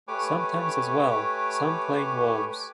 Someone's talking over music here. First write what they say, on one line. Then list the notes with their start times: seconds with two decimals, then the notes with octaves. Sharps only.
Sometimes as well, some plain wolves...
0.08 A3 G4 B4 C#5 G#5 D6